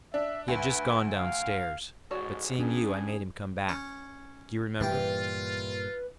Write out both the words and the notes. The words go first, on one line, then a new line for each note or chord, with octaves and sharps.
He had just gone down-stairs, but seeing you I made him come back; do you remember?
D4 E5
D2 B4
F5
A1 G#2 G#3 F#4 C#5 D5
G2 C#4 D4 G#4
C#4 C#5
G2 A#2 E3 F4 G4 B4 G5